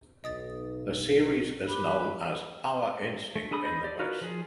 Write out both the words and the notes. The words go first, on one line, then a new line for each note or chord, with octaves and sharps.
The series is known as "Power Instinct" in the West.
B1 D#5 D#6 A6
G4 B4
A3
D4 G#4 A4 B5 D#6
C5 D#5 B5
G4 D5
D#4 F4 F#4 A#4 B4
F3 G#4